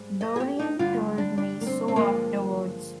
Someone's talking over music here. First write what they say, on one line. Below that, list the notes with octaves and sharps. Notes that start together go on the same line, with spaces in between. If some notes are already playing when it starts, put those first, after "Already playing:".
Dorian told me so afterwards.
Already playing: G#2 G3
D#5
G#4
G4
D#4
G2 D3 G3 F4
D4
D4
A#3
C4
C4
G2 D3 F3 G#3 A#3